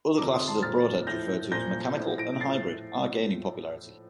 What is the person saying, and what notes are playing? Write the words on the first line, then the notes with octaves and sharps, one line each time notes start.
Other classes of broadheads referred to as "mechanical" and "hybrid" are gaining popularity.
F2 D3 F3 A#5 D6
C6 D#6
A5 C6
A#2 F3 F6 A6
A2 F3 G6 A#6
A#2 F3 G6 A#6
A2 F3
A#6 D7
A2 F3 A6 C7